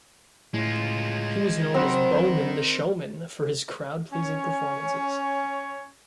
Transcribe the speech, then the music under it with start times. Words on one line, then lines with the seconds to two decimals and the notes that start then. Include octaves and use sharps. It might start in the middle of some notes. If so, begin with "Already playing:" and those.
He was known as "Bowman the Showman" for his crowd-pleasing performances.
0.54 A2 G#3 F4
1.74 F#3 C4 A#4 C5 D#5 F#5 B5
4.12 C#4 C#5